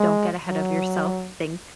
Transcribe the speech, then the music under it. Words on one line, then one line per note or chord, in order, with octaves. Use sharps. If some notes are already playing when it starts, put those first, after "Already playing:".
don't get ahead of yourself. Think
Already playing: G#3
F#3